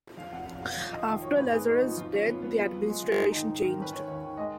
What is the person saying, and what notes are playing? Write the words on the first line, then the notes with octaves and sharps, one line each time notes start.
After Lazarus' death the administration changed.
F2 F5
F1 F#5
F1 F5
F1 F5
F2 F5
F2 D#5
D#3
F#3 C#5
G#2 B4
B3 G#4
D#4 F#4
F3
F2 F4
C#3 C#4
F2 B3
F3 B3
F3 B3
F#2
G#3
C#3
G#2 D#4
D#3 D#4
G#2 D#4
D#3 A#4
C#4 B4
D#3 C#5
D#2 C#5
D#3
G#3 D#5